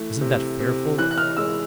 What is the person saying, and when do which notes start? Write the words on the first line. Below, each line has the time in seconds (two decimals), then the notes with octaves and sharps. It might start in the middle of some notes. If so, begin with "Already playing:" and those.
Isn't that fearful?
Already playing: E3 A3
0.21 C3
0.60 C3
0.98 E3 F#6
1.11 F#6
1.18 F6
1.37 G#3 E6